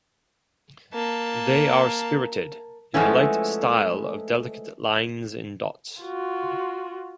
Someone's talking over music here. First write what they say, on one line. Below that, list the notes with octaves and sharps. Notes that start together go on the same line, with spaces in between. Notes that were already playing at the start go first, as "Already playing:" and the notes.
They are spirited, in a light style of delicate lines and dots.
A#3 A5
F3 G#3 A3 B3 C#4 E4
F4 F#4